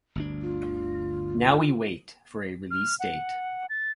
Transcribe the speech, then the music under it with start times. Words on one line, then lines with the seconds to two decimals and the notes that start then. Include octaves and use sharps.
Now we wait for a release date.
0.15 G1 D2 D4
0.42 F4
2.71 F6
3.00 F#5
3.70 A6